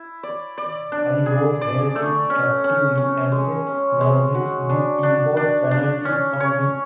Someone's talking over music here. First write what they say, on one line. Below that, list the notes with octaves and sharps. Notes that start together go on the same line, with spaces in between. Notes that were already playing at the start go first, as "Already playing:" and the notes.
I was held in captivity and the Nazis did impose penalties on me.
Already playing: E4
D5
D5
D4
G#4
D5
A3
C#4
C#4
C#4
G#3
C#4
G#3
F#4
D4
D4
D4
D4
C#4
C#5